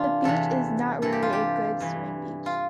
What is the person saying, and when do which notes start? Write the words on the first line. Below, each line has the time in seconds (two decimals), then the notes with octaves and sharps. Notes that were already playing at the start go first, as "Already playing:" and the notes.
The beach is not really a good swimming beach.
Already playing: C3 E3 D4 F4
0.24 E2 C3 E3 A4
1.02 G2 E3 A4
1.12 G4
1.22 F4
1.33 G4
1.80 G2 E3
2.46 F4